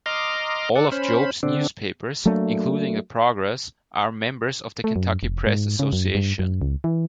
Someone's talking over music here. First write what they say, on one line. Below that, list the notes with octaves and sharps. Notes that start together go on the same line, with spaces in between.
All of Jobe's newspapers, including the Progress, are members of the Kentucky Press Association.
D#5 A#5 C6 D6 F6
A4 D5 F#5
C#4 C5 B5
D3 C4 D4
F#3 A3 A#3 D4
A3
F#2
F1
G#2
C#3
F#2
G2
F#2
C#2
E3